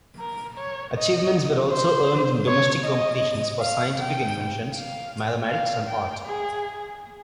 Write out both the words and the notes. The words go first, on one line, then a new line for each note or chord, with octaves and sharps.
Achievements were also earned in domestic competitions for scientific inventions, mathematics and art.
A#4
C#5
D#5
C5
C#5
D#5
F5
G5
F5
F5
G5
G#4